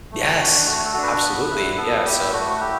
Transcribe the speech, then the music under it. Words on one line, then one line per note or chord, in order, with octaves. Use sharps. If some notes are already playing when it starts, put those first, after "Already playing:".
Yes, absolutely, yeah, so,
A3
D4 F#4
A3 F#4
A4
D4 F#4
B4
B3
E4
B4
B3 A4
E4 G4
A3 F#4
E4 G4